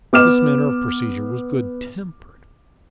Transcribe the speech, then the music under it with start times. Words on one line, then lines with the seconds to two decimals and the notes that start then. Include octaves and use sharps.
This manner of procedure was good-tempered.
0.13 B3 D6 F6 E7